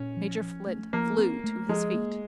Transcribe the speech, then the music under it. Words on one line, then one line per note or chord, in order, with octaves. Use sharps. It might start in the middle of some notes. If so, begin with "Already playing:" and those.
Major Flint flew to his feet.
Already playing: A#2 C#4
F3
F3
A3
F3 A#3
C4
A3
F3 G#3
A#3